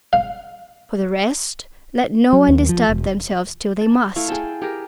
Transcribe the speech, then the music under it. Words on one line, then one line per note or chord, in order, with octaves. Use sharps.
For the rest--let no one disturb themselves till they must.
F5
F#3
D#2
F3
E1
A5
A3 E4 F5
G#4 G5 A5
G4 G#4 A#4